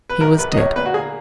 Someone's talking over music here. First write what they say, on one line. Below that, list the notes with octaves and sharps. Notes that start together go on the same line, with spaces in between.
He was dead!
B4
A#1 A#4
A#1 B4
D#5
A#1 C#5
A#2 B4
F#4
A#3 G#4